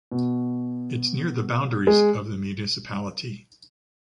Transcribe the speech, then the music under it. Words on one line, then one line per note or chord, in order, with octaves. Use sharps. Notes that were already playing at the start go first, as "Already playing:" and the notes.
It’s near the boundaries of the municipality.
B2
G#3